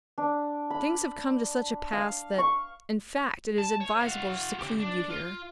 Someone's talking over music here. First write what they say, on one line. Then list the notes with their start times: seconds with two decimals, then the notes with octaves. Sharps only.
"Things have come to such a pass that, in fact, it is advisable to seclude you here."
0.18 D4
0.70 B5
1.93 F5
2.38 C#6
3.58 A5
3.80 C#5
3.99 F#4 F5
4.59 C#3 G4
4.80 D4
5.10 F4